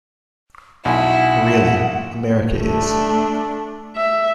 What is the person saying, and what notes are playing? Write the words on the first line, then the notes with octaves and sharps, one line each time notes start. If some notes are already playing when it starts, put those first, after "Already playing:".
Really, America is.
B1 E4 F#5 G#5
A3 D4
E5